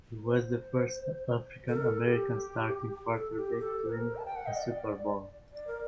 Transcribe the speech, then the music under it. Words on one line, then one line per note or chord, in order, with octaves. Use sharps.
He was the first African-American starting quarterback to win a Super Bowl.
C5
A4
A#4
A4
G4
A4
G4
A4
C5
A#4
A5
G5
F#5
D#5
D5
D5
A#4